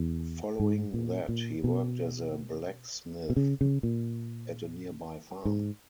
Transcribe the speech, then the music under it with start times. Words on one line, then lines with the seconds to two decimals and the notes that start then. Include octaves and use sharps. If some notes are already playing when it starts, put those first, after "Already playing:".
Following that, he worked as a blacksmith at a nearby farm.
Already playing: E2
0.60 G#2
0.94 A#2
1.29 A#2
1.64 B2
3.30 B2
3.36 C#3
3.61 C#3
3.83 A#2
5.45 G#2